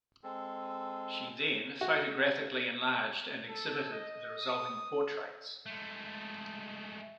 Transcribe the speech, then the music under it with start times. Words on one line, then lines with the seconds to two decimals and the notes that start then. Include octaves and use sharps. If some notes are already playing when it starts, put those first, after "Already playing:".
She then photographically enlarged and exhibited the resulting portraits.
0.24 G#3 C4 A4
1.81 F#4
3.48 A4
3.92 D#5
4.41 D#6
5.66 G#3 A3